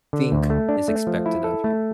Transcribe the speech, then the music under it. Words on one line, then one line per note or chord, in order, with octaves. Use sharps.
think is expected of you.
D3
D2
A3
D4
A3
F3
E4
A4
A3